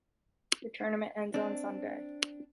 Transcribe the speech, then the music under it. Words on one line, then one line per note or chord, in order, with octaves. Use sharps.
The tournament ends on Sunday.
C4 D4